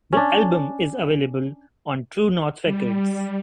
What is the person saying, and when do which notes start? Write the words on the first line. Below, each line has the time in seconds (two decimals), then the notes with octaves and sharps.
The album is available on True North Records.
0.13 C#4 D4
2.64 G3